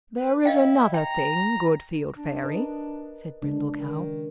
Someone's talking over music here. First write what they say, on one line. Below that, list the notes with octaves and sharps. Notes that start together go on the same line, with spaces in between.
"There is another thing, good Field Fairy," said Brindle Cow.
B4
E4 D#5 F5 G5
G5 A#5
D4
A#4 B4 D#5
C#3 G#3 D4
D#3